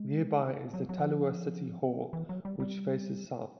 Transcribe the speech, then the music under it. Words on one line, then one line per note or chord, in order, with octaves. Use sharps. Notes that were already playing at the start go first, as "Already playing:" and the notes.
Nearby is the Tallulah City Hall, which faces south.
Already playing: G#3
F#3
F#3
F3
E3
F#3
G3
G3